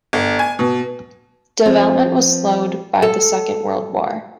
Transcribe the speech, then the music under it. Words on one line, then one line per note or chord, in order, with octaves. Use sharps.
Development was slowed by the Second World War.
G1
G#5
B2
F3 C4
A4